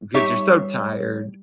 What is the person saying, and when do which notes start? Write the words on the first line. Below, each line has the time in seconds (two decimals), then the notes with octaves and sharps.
because you're so tired.
0.14 G3 D#4 G4 C#5 E5